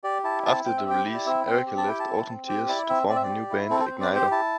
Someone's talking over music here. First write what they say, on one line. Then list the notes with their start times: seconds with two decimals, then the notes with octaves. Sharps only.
After the release, Erika left Autumn Tears to form her new band, Ignitor.
0.04 G4 D5
0.24 E4 A5
0.45 C4 A5
0.65 C4 G5
0.78 E5
0.85 G4 G5
1.05 E4
1.14 D5
1.26 C4 E5
1.47 C4 G5
1.67 G4
1.78 A5
1.87 E4 G5
2.00 A5
2.08 C4
2.28 C4
2.48 G4 G5
2.68 E4 D5
2.89 C4 E5
3.09 C4 D5
3.16 E5
3.23 D5
3.30 G4
3.50 E4
3.70 C4 A4
3.80 A4
3.86 C4 C5
4.01 D5
4.11 G4 C5
4.31 E4 A5